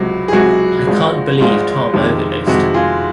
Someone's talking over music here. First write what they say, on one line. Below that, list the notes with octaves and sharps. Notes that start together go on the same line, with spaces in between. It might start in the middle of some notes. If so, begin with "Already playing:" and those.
I can't believe Tom overdosed.
Already playing: C#2 C3 F#3
G#4
C#2 C3 F#3 F#4
G#1 G#2 F3 G#3
G#1 G#2 F3 G#3 F4
F2 C3 D#3 G#3
F2 C3 D#3 G#3 F#4
F4 G#4